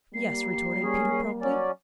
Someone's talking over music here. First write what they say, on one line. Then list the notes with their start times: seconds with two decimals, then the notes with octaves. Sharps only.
"Yes," retorted Peter promptly.
0.14 G3 A#3 C7
0.83 C#4 G#4
1.41 F#3 C#4 D5